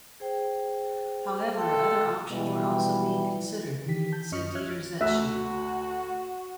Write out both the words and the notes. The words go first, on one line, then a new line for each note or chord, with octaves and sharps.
However, other options were also being considered, said Dieter Zetsche.
G#4 C5 G5
A4 G5 C6
B2 E3 G3
D#3 E3 G4 B6
A5 G6
F#2 C#4 D#5 C#6 F6 C#7
C#5 E5 F6 F#6 G#6
D2 F#4 E5 F#6